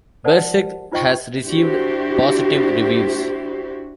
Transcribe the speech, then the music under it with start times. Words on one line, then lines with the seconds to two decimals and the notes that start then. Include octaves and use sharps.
Bersirc has received positive reviews.
0.24 A#4 C5 D5 F#5 A5
0.92 D#4 F4 C5 D#5 G5 C#6
1.45 D4 E4 F#4 G4 C5